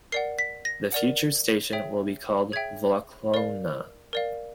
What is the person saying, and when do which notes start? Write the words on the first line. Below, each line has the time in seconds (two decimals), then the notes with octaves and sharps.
The future station will be called Volkhonka.
0.12 A#4 D5 F#5 C7
0.39 B6
0.65 A#6
0.92 A#4 D5 F#5
1.73 G#4 C#5 E5 G5
2.52 G#4 C#5 E5 G5 G#6
3.34 A#4 D5 F5
4.13 A#4 D5 F5